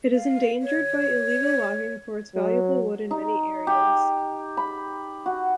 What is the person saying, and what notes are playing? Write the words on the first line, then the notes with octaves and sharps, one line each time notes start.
It is endangered by illegal logging for its valuable wood in many areas.
F5
C#5
F#3
D#4
G4
B5
F#4